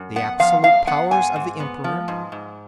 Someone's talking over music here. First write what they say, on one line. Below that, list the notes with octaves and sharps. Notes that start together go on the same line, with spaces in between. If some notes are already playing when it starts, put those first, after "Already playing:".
The absolute powers of the Emperor.
Already playing: F#2
B3 F#5
F3 F5
F#2 F5
B3 F#5
G#2 G#5
G#2
B3
F3
G#2
G#2